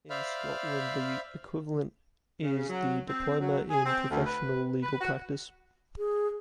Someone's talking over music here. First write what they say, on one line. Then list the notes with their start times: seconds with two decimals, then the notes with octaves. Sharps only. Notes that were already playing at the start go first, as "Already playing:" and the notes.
In Scotland, the equivalent is the Diploma in Professional Legal Practice.
0.10 C5 D5 E5 F5 B5 F6
2.42 C#3
2.70 F#3
3.09 C4
3.40 F#3
3.70 G#4
3.86 C4
4.11 D2
4.26 B4
4.83 B4
5.01 F#4
5.98 G#4